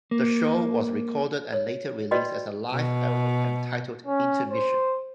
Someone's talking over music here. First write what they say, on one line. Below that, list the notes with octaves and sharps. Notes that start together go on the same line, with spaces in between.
The show was recorded and later released as a live album, entitled "Intermission".
A#3
C#5
F#4 B4 D5 D#5 G5 B5
B2
C#4
C5